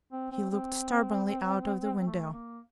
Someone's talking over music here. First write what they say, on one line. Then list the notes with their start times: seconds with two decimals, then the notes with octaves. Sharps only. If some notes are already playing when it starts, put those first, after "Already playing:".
He looked stubbornly out of the window.
0.12 C4
0.31 C4
0.50 C4
2.06 A3
2.32 A#3